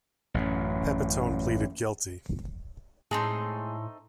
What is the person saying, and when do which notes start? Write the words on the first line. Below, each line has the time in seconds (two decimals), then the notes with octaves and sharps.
Pepitone pleaded guilty.
0.34 A1 F#2
3.11 A2 G#3 A3 C4 D#4 G#4 A5 C6